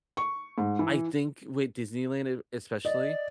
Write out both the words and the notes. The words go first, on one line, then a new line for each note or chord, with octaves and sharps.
I think with Disneyland, it especially,
C#6
G#2
E3
D5 D#5